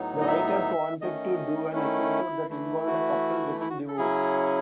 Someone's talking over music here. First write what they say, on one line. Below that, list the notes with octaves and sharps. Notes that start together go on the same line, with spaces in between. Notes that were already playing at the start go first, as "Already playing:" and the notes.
The writers wanted to do an episode that involved a couple getting divorced.
Already playing: A2 F#3 B3 D#4
D#5
E5
D#3 A3 C#4 D#5
E4
E3 A3 E4
F#4
E4
F#4
A4
C#3 F#3 C#4 E4 G#4